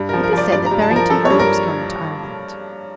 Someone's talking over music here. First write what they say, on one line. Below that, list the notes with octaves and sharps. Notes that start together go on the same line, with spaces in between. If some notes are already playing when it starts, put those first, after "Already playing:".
"But they said that Barrington Erle was going to Ireland."
Already playing: G2
F3 A#4
A#4
F3 D5
G2 D5
A#5
G2
A5
F3
A#4
F3 A4
C#5
G2
A#4